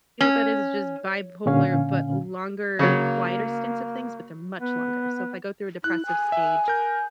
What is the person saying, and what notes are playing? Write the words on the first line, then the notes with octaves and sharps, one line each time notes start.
what that is is just bipolar, but longer, quieter stints of things, but they're much longer, so if I go through a depressive stage,
C#4
A#2 D3 C#4 F5 G#5
C#3 F#3 A#3
B3
E4 F#6
G#5
E5
A#4 G6